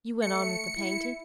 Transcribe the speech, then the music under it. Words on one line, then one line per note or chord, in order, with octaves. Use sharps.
You went on with the painting?'
A3 C#7
E4